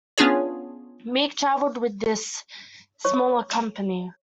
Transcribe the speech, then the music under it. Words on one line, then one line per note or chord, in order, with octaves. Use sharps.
Meek traveled with this smaller company.
B3 C#4 D4 F4 G#4 C#5
C#5 C#6